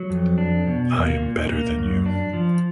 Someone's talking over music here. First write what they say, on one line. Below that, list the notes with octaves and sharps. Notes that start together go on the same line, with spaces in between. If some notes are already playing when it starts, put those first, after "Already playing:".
I am better than you.
Already playing: F#3
F2
D4
B2
A#3
A#2
A#3
F#2
D4
F3